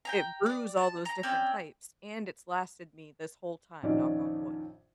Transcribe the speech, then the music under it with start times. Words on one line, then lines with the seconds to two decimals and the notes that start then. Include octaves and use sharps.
it brews all those different types and it's lasted me this whole time. Knock on wood.
0.05 G5 G#5 A#5
0.46 D5
0.77 A5
1.05 A#5
1.23 C4 C#4 D5 G5
3.83 A#1 F2 D#3 C#4 D#4 D5